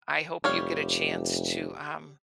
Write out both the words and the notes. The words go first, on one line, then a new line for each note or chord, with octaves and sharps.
I hope you get a chance to um
F1 G3 C#5 F5